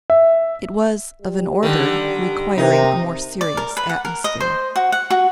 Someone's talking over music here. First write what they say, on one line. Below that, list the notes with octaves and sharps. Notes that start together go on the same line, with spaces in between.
It was of an order requiring a more serious atmosphere.
E5
G3
D3 D#3
C3 D#4 A#4
D5
A#4
B4
F#5
A#4
D#5
C5
F#4
F#5
F#4